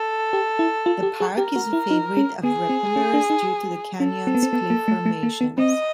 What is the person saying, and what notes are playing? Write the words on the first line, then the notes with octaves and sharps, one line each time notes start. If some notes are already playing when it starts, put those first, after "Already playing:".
The park is a favorite of rappellers due to the canyon's cliff formations.
Already playing: A4
G4
E4
F4
G4
G#4
G4 A#4
F#4
E4
D#4
C#4
B3 G#4
C4
C#4
D4
D#4
C#4 A4
C4
B3
C4
B3
A#3
A3
A3
A#3
B3
C4 D#5